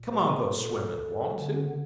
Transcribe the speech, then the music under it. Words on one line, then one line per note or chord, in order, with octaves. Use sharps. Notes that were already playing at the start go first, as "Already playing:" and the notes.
"Come on go swimmin'--want to?"
Already playing: A#2
G4
A4
D3
D3